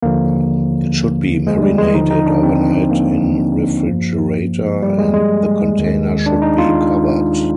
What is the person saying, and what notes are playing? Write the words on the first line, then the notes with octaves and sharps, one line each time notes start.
It should be marinated overnight in refrigerator, and the container should be covered.
D#2 D3 F3 A#3
G#3
G3
G#3
D#2 D3 F3 D#4
D#4
D4
C4
A#3
G2 F3
G3
G#3
G#3
D#2 D#3
D4
D#4
F4